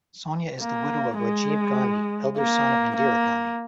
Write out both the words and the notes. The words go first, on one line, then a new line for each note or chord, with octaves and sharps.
Sonia is the widow of Rajiv Gandhi, elder son of Indira Gandhi.
A#3
G#3
A#3
A#3